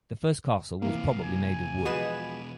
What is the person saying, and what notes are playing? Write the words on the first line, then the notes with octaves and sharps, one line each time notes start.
The first castle was probably made of wood.
C3 E3 F3 A#3 F5
G#5
E2 B2 F3 F#4 G#4 B4 D#5 E7